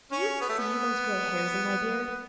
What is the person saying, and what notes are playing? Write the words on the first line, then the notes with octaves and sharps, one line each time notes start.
"Do you see those grey hairs in my beard?"
C#4
B3
A3
B3